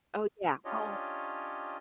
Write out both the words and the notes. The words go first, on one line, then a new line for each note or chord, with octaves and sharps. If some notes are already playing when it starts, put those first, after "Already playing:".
Oh yeah, oh
C#4 D4 F4 G4 C#5 D#5